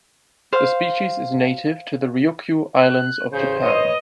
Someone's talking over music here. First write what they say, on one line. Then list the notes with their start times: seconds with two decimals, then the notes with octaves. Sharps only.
The species is native to the Ryukyu Islands of Japan.
0.53 C5 F5
2.81 F#6
3.32 A1 C#3 C5 G6
3.62 B4 C#5 D#5